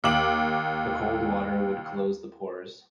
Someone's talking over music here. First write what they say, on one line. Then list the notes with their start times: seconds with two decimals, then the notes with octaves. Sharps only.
The cold water would close the pores.
0.04 D#2 D6 F#7